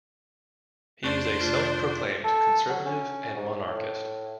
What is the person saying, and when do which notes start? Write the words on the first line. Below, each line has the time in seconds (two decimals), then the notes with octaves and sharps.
He is a self-proclaimed conservative and monarchist.
1.03 F2 A3 D4 C5 C#6
1.41 C3 A3 F4
2.24 A4
2.69 F#3
2.86 C#4
3.36 G#2
3.67 A2